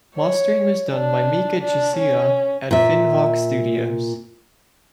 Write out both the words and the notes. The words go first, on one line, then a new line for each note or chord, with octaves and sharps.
Mastering was done by Mika Jussila at Finnvox Studios.
C#5
D4
D4
C#4
A#2 E5